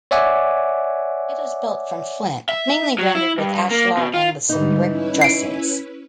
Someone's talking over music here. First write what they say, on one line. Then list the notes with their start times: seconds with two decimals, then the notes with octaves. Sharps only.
It is built from flint, mainly rendered with ashlar and with some brick dressings.
0.11 C#5 D5 E5 F#5 G#5 D6
2.49 E5
2.99 F#3
3.15 E4
3.38 G2
3.71 A#3
3.97 B2
4.14 F4
4.49 G#2 D3 E3 G3 D#4
4.87 C#4 E4 B4
5.22 C7 D7